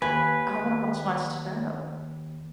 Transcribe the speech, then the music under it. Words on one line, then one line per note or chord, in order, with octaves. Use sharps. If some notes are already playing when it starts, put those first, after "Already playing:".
I wanna watch my show.
D#2 B4 G#5